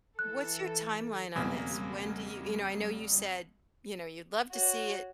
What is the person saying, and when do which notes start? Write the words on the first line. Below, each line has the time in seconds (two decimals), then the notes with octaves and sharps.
What's your timeline on this? When do you you know, I know you said, you know, you'd love to see it
0.19 E3 A4 F#6
1.36 B1 E2 C#3 G3 A#3 C4 G#5
4.52 F#4 C#5